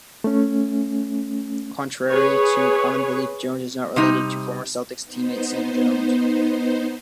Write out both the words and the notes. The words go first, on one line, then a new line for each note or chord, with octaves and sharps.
Contrary to common belief, Jones is not related to former Celtics teammate Sam Jones.
A3 C#4
G#4 B4 C#5
C3 G3 D#4
B3 D#4 C5